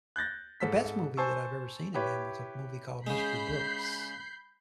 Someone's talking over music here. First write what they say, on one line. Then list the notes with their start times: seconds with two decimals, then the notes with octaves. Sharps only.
the best movie that I've ever seen in man was a movie called Mr. Brooks.
0.16 F#6 G6 A6 A#6
0.60 G#2 A4 B6
1.17 C5 G#5 A5 C#6 E6
1.94 E4 G4 B4 C#5
3.07 C#3 G#3 B5 G6 C7